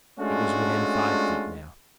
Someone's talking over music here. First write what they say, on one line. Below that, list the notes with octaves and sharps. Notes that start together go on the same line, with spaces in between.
It was within five feet now.
G#3 A3 C#4 D4 F4 F#4